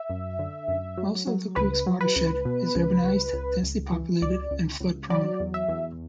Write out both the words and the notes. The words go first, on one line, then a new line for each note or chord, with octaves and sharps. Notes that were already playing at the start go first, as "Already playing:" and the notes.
Most of the creek's watershed is urbanized, densely populated and flood-prone.
Already playing: E5
F#2
D3
F#2
F#3
F#3
C#2 B4
F#3
B4
C#2
B2
C#2
C#2
C#2
C#2
E3
C#2 D5
C#2
C#2
F#3 D5
E2
E5
E2